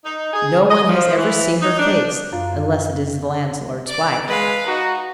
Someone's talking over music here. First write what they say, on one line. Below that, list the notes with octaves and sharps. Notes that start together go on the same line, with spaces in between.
No one has ever seen her face; unless it is the landlord's wife.
D#4
G#4
D#5
F3
E3
D#4
D4
F#2 F4
D5 D6
G#3 B4 F5
D#4 F#4